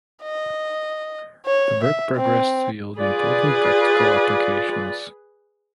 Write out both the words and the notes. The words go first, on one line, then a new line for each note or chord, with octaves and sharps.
The work progressed to yield important practical applications.
D#5
C#5
E5
C4
F4 G#4 B4 D5